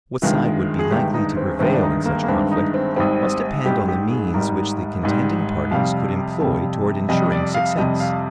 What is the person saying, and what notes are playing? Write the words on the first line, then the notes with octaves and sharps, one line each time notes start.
What side would be likely to prevail in such a conflict, must depend on the means which the contending parties could employ toward insuring success.
G1 G2 D#3 G#3 F4
G#4
G1 G2 D#3 G#3 G4
D#4
C4
G1 G2 D#3 G#3 C4
D4
D#4
A#3
A#3
G1 G2 D#3 G#3 C4
D#4
C4
G#1 G#2 G3 C4
G#1 G#2 G3 G4
G4
G#4
G#1 G#2 G3 A#4
G#1 G#2 G3
F2 C3 G3 F5
F2 C3 G3
F2 C3 G3 D#5
D5
F5
F2 C3 G3 D#5
F5